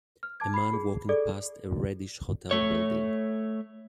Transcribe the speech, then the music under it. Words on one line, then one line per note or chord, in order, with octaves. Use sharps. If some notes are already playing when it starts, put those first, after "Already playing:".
A man walking past a reddish hotel building.
F6
A5 D6 G#6
B5 C7
G#4
G#4 A4 D5
A3 C#5